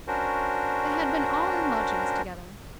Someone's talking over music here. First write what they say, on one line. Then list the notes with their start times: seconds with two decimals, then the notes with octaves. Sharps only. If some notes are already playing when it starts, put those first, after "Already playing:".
They had been all in lodgings together.
0.08 C#4 D4 F#4 A#4 C5